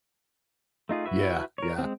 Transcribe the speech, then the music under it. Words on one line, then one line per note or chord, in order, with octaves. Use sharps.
Yeah, yeah.
A3 D#4 F4 G#4
E4 F#4 B4 E5
A#4 C#5
G#3 C4